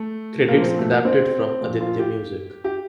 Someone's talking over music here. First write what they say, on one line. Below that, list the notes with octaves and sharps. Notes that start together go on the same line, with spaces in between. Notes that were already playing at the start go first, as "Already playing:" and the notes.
Credits adapted from Aditya Music.
Already playing: A3
A#2 F3 A#3
C4
A3
A#3
C4
A#2 F3
F4
G4
G4